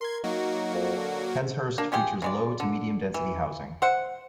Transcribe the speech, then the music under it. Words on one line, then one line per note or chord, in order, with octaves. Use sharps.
Penshurst features low to medium-density housing.
A#4 C6 G#6
F#3 A#3 D#4 F#4
F2
D3
G#2
A#3 D4
C#4 F4 G4 G#4
C#3 G#3 D5
D3
E3
C5 E5 F#5